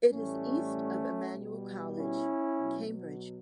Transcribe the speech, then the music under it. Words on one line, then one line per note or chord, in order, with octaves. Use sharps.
It is east of Emmanuel College, Cambridge.
A2 E3 G3 A3 C#4
B2 G3
C#4 E4
B2 F#3